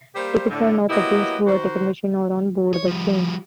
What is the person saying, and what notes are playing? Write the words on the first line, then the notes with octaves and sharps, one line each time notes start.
Tickets are now purchased through a ticket machine or on board the train.
G3 A#3 G4 C5
A2 D3
F#3 A#3 B3 E4 G4 D#5
D#3 F#4 C5
C#5
F3 G3